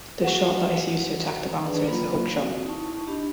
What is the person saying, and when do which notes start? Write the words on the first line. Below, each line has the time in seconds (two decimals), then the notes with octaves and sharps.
The shot that is used to attack the bouncer is the hook shot.
0.23 F#4 G#4 F5 F#5
1.63 D4 G#4 B4 D5
1.85 F#3 A#3 F4 F5 B5
2.35 C4 F#4
2.66 D#4 E4 A5 C#6
3.07 D4 G4 D#5 B5